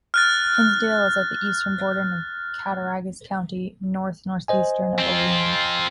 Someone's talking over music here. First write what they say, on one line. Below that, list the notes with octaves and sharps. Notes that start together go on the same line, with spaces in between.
Hinsdale is at the eastern border of Cattaraugus County, north-northeast of Olean.
F6 F#6 A6
C5 D#5 G#5
C4 F4